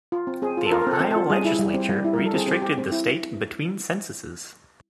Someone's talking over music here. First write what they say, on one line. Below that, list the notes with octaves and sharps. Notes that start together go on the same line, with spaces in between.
The Ohio Legislature redistricted the state between censuses.
F4
C4
C4 G#4
F4
A4
F4 A#4
A#4
C4 A4
C4
A4
F4
G3 G#4
E4
G3
C4
G3
E4
G3 A#4
A4
C4 G#4
C4 G4
G4
C4
E4